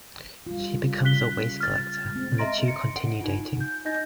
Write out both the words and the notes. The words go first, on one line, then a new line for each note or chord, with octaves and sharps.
She becomes a waste collector and the two continue dating.
G3 F4
C#3 F#6 B6 G7
F6 A6
G#3 C4
D#5 E5 A#5 C6 A#6 D7
C#7
F#5 D7
D#4 F4
G6
D#4 D#5 G6 A#6